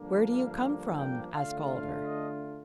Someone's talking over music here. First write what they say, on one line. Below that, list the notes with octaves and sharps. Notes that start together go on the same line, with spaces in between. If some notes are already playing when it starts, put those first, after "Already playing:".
"Where do you come from?" asked Calder.
Already playing: G2 D3 F3 A#3 D4
F5
G5
D3 A3 D4 F4 F5
F5
D#5